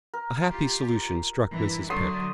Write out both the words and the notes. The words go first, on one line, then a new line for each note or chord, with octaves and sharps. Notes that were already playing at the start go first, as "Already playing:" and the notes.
A happy solution struck Mrs. Pett.
A#4
F4 G4
G2 E3 E4
D3 F#3 A3 D4 C6 D#6